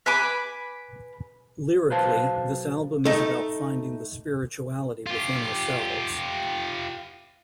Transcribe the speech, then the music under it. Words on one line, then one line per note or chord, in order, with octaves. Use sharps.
Lyrically, this album is about finding the spirituality within ourselves.
B4 G#5 B5 D6
B1 B4 C5 F5 A5
A3 D#4
F4 G4